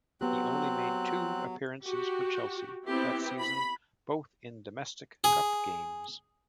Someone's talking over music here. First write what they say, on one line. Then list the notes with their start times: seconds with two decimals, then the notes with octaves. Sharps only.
He only made two appearances for Chelsea that season, both in domestic cup games.
0.21 F#3 B3 C4 G4 F#6
1.86 F#4 G4
2.88 B3 C4 E4 G4
3.41 B5
5.24 G#4